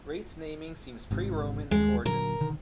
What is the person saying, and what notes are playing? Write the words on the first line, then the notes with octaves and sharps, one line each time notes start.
Rates naming seems pre-Roman in origin.
G#1 G#2 C3
D#2 G#3
A#2 D3 F#3 A#4
B2 D3 D#3